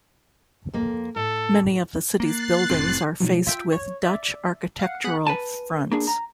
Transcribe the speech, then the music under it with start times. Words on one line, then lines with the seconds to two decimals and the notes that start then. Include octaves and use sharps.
Many of the city's buildings are faced with Dutch architectural fronts.
0.73 F2 A#3
1.16 A2 A4
2.20 A#3 F#6 A6 C7
2.70 F1 A2 C4
3.20 G#2 B2 F3 F#3
3.47 F4 E5 G5
3.73 C#5
4.03 D5 E5
4.79 F5 F#5
5.04 B3 G#4 F#5 B5 F#6
5.27 B4 G#5 A5
5.91 A#3 D4 G#4
6.07 A#5